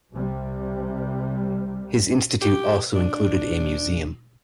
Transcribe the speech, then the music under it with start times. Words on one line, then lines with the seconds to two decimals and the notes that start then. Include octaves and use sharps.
His Institute also included a museum.
0.12 C2 C3 G3
2.41 G4
2.95 D4